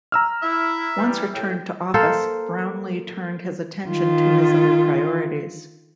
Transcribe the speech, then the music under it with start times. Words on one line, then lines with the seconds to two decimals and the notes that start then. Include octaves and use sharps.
Once returned to office, Brownlee turned his attention to his other priorities.
0.12 A#5 E6 F6
0.43 E4 E5
0.96 E3 G3
1.33 A2 G5
1.94 A#3 A4 C5 F5
3.87 D#3 F4